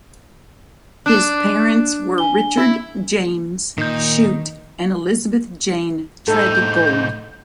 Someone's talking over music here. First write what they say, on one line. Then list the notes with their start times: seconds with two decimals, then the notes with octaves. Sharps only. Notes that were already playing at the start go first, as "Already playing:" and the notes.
His parents were Richard James Shute and Elizabeth Jane Treadgold.
1.06 D4 F#6 E7
2.18 G#5 G7
2.57 E4
3.78 A#2 D#3 D#4 G6
6.28 A2 D#4 A4 G6